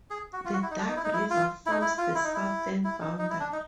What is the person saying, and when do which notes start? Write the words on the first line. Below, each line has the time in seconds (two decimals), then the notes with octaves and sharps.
The Duck River forms the southern boundary.
0.10 G#4
0.33 F#4
0.45 F4
0.53 F#4
0.63 E4
0.71 D#4
0.78 D4
0.88 D#4
0.96 E4
1.04 D#4
1.13 E4
1.30 F4
1.66 E4
1.70 D#4
1.81 E4
1.98 F4
2.15 E4
2.24 D#4
2.34 E4
2.84 E4
3.00 D#4
3.18 D#4
3.30 E4
3.40 D4
3.53 D#4